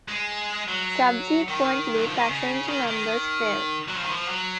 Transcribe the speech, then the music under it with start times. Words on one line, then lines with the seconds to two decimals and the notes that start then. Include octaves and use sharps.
Subsequently, passenger numbers fell.
0.08 G#3
0.68 F#3
1.48 D#3
1.95 F#3
2.06 F3
2.17 D#3
2.28 C#3
2.68 D#3
2.88 D#3
3.88 F#3
3.96 F3
4.03 D#3
4.11 F3
4.28 F#3